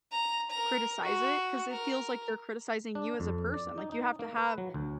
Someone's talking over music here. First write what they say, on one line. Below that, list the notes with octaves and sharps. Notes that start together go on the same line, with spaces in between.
criticize it, 'cause it feels, like, they're criticizing you as a person, like, you have to have
A#5
A#4 A#5
F#4
A#4
D4
F2
D5
D#4
D#4
A#3
B4
F#3
D2